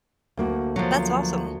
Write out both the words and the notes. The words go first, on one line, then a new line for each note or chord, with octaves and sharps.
That's awesome.
D2 A#3 F#4
F3 F#3